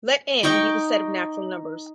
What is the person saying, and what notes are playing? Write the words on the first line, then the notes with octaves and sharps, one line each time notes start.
Let N be the set of natural numbers.
D#4 G5 C#6 D6